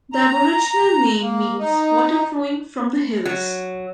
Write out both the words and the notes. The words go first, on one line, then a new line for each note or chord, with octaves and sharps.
The aboriginal name means "water flowing from the hills".
A#5
A#3
D#4
F#3